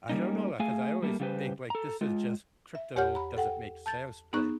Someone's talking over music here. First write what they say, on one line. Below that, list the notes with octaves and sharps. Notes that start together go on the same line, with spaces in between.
I don't know, uh, ‘cause I always think, like, this is just crypto doesn't make sense, but
G3 A#3 C#4 D#4
A3 G#4 F5 G#5
G3 A3 A#3
C#3 G3 F4 G4 B4 C5
A4 A#5
G#3 F4
E5
E2 G4 C#5 F#5 F6 G6
A#5 B5
A4 F#5 G5
A5 G6 A6
B3 D#4 G#4 A#5 C#6 F#6